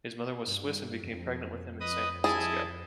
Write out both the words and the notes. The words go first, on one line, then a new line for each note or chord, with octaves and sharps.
His mother was Swiss and became pregnant with him in San Francisco.
G2
F2
B4 D#5 D#6
E4 G#4 D#5 A5